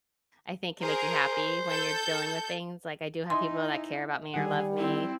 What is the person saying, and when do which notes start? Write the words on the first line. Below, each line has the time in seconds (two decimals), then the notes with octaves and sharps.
I think, can make you happy when you're dealing with things. Like, I do have people that care about me or love me,
0.83 G#4 A#4 C5
1.70 A4 G6
3.30 D#4 E4 D#5 E5 G#5 C6
4.34 D#3 G3 G#4 F#5
4.77 C4 E4